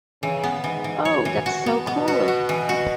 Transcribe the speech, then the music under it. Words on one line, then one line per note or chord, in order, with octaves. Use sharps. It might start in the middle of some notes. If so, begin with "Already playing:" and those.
Ooh! That's so cool!
C#3 E3
B3
G#2 E3
E3
F#2 C#5
E3
F#4
B3
B2 B3
F#4
F#4
E3
F#4